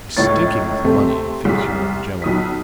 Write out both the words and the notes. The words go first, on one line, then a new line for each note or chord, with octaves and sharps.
He's stinking with money and thinks you're not a gentleman.
C#2 A2 C#5 C#6 A6
C3 A3 C4
C2 G#3 B6
B1 D#6 B6